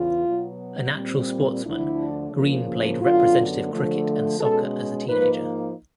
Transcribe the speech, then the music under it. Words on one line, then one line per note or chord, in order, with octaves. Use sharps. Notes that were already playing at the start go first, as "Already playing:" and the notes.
A natural sportsman, Green played representative cricket and soccer as a teenager.
Already playing: E2 C#3 E3 F4
B2 F#3 B3
A#2 G3 C4
D2 D3 F3 A3 D4 E4
C#3 F3 A#3
F#2 D3 F#3 B3 F4
D3 F3 A3
B2 G#3 C#4 A4
G#2 F3 A#3 D#4 B4